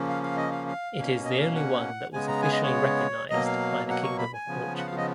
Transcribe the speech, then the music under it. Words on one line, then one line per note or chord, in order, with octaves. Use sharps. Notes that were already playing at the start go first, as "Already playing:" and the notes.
It is the only one that was officially recognised by the Kingdom of Portugal.
Already playing: C#3 F3 A#3 C#4
F5
F5
D#5
F5
F5
B2 A#3 C#4
D#5
F5
F#5
C#3 G#3 B3 G#5
A#5
G#5
D#5
C#5
B2 F#3 A#3 D#5
F5
F#5
C#6
B5
G#5
C#3 F3 B3
F#5
F5
D#5